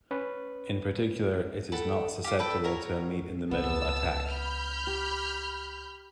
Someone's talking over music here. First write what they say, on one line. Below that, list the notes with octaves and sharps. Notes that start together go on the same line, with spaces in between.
In particular, it is not susceptible to a meet-in-the-middle attack.
C#4 B4
A4 F#5 G5 B5
F4 G4
A4 B4 G5
F#4 A#4 C#5
C#2 B3 A5 E6
B5 F6 G6
G4